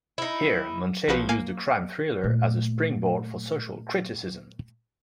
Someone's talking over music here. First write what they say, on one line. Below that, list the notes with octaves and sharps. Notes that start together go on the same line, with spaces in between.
Here, Manchette used the crime thriller as a springboard for social criticism.
D#4 E4
B1 F3 F#4 B4
A#3 F5 G#5
A#2 A3